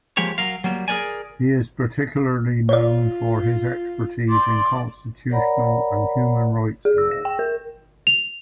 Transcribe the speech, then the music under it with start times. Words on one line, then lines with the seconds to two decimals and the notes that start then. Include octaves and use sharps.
He is particularly known for his expertise in constitutional and human rights law.
0.17 F3 G#3 A#3 G4 C#5
0.38 F#3 A#4 F5
0.64 F#3 G3 A#3
0.88 G#4 A#4 B4 C#5 D5 G#5
2.69 F4 C#5 D5
4.29 D5 C6
5.30 A#4 C#5 D5 F#5 A#5 B5
6.85 G#4
6.98 E6
7.11 A#6
7.25 G5
7.39 A#4
8.07 F7